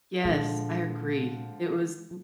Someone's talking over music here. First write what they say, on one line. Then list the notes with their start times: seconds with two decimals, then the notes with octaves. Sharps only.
Yes, I agree. It was m
0.24 A#2 D3 F3 G#3